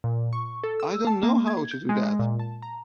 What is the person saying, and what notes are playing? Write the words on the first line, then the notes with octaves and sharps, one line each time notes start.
I don't know how to do that.
A#2
C#6
A4
E6
A5
A#3
G#6
G6
G#3
A#2
A5
A#5